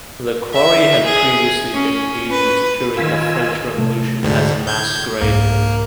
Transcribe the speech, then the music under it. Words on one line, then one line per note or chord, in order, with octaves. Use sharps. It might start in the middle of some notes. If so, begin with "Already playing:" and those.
The quarry had previously been used during the French Revolution as a mass grave.
E5
G#4
C#4
B4
D#3 F4 G#5 E6
C3 A3
D2 G#2 D3
G6 G#6
C2 G#2 A#3